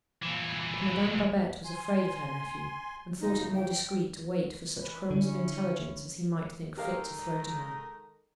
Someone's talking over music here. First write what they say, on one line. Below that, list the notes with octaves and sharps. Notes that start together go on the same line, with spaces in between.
But Madame Babette was afraid of her nephew, and thought it more discreet to wait for such crumbs of intelligence as he might think fit to throw to her.
A#2 E3
G#5 C6
F#2 C#3 D#4
G5
E3 B4
D3 C#4 E4
D#3 G#3 G4 A4 A#4 F5 A#5